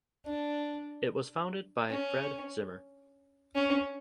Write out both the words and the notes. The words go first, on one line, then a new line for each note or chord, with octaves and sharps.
It was founded by Fred Zimmer.
D4
C#4
C#4